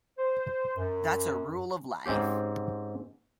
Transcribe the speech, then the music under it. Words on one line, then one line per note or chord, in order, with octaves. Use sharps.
That's a rule of life.
C5
F#2
G#2 C4 C#4 G4